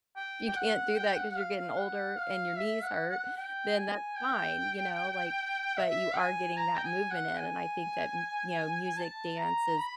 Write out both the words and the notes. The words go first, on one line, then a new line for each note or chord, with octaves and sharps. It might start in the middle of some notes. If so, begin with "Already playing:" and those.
you can't do that 'cause you're getting older and your knees hurt, then that's fine, you know? Like, but you are getting that movement in, and I think that, y you know, music, dance is,
G5
G5
F#5
G5
F#5
F#5
F5
F5
F#5
F5
E5
F#5
F#5
G5
G#5
G5
E5
G#5
A#5
G5
G#5
F#5
G#5
A5
A#5
B5